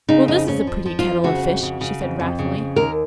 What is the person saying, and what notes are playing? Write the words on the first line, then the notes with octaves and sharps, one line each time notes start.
"Well, this is a pretty kettle of fish," she said wrathfully.
C#3 D#4
F2 D#4
F2 C#4
F3
F3
F4
F2
C#3 F#4
F2
C#3
C#3
F2
F2
C#3
F2
D#2 A#4